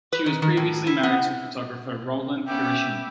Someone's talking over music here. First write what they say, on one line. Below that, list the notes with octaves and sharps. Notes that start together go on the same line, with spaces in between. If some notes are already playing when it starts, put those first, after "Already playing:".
She was previously married to photographer Rowland Kirishima.
B4
D#3
D#3
A2
E4
B3
B3 C#4 E5 G5 D6